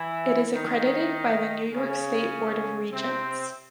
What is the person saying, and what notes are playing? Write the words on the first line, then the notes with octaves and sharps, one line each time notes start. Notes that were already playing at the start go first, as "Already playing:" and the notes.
It is accredited by the New York State Board of Regents.
Already playing: E3 E4
D#3 D#4
C#3 C#4
C3 C4